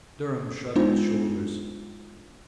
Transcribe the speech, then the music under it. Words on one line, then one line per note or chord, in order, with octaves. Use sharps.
Durham shrugged his shoulders.
G#3 B3 D4 D#4 F4 C5